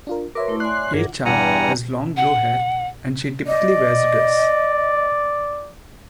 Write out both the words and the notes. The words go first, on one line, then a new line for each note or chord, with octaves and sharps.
A-chan has long blue hair and she typically wears a dress.
D4 F4 A#4
F#4 A#4 B4 C#5 E5 C6 D6
A3 E4
D5 G#5 C6 F#6
G2 F4 G#4 A#4 F#5
E2 G2 G3 F#5 G#5 A#5
F#5
D5 D#5